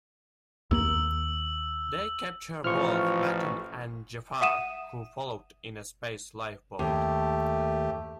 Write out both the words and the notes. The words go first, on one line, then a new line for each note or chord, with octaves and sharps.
They capture both Matton and Jaffar, who followed in a space lifeboat.
D#2 A#3 E6 F#7
A1 F3 C#6 F6
E5 F#5 D#6 D#7 E7
D#2 A3 G4